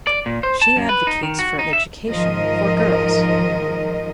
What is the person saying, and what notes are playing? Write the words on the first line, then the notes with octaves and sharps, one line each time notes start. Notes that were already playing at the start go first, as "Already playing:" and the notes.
She advocates for education for girls.
D5
A#2
C5
A5
F#2
B4
D#4
D#3
F#4
D#4
E5
G#2 D#3 F3 A#4 D#5